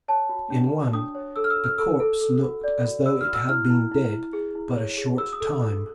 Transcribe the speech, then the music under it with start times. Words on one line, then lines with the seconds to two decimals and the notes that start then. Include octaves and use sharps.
In one the corpse looked as though it had been dead but a short time.
0.08 C#5 A5
0.29 F#4
0.50 D4
0.72 F#4
0.93 D4 D#6
1.15 C#5
1.36 A4 E6
1.44 F6
1.50 E6
1.57 F#4
1.64 F6
1.78 A4 E6
2.00 A4
2.21 A4
2.42 F#4
2.64 D5
2.84 F#4
3.06 F#4 E6
3.21 F6
3.28 F#4
3.34 E6
3.49 E4 F6
3.70 E4
3.91 E4
4.13 E4
4.33 G#4
4.55 E4
4.76 C#5
4.97 G#4
5.18 F#4 E6
5.33 D#6
5.40 A4
5.61 F#4